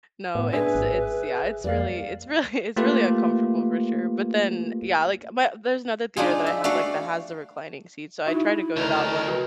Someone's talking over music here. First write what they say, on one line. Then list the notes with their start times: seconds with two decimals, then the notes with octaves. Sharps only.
No, it's it's yeah, it's really it's really it's really uncomfortable for sure, but then Yeah, like, my there's another theater that I have, like that has the reclining seats, so I try to go to that one,
0.35 A2 B3
0.53 D4 G#4 B4 E5 G#5
0.75 G#1
1.64 F2 G3 A#3 D5 F5
2.77 A3 A#3 F4 G4 A4 B4
6.17 D4 D#4 F4 G#4
6.46 E5
6.64 A3 D4 F#4 F5
8.26 D#4 E4 F#4 E5
8.76 D2 C#3 A#4 D#5
9.28 F#4 B4